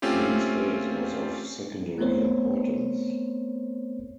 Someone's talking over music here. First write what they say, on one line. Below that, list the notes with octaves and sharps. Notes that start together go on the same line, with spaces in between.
Green space was of secondary importance.
A3 C4 C#4 F4 G4
A3 B3 C4 A#4 C5 C#5